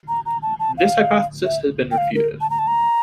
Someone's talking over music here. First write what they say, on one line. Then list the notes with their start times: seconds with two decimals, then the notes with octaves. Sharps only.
This hypothesis has been refuted.
0.08 A#5
0.26 A#5
0.42 A5
0.60 A5
0.78 F5
1.45 E5
1.91 G5
1.98 F5
2.15 A#4
2.41 A5
2.50 A#5
2.59 A5
2.67 A#5